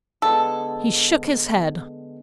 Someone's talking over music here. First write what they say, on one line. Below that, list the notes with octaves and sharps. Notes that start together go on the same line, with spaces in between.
He shook his head.
D3 G#3 B3 A4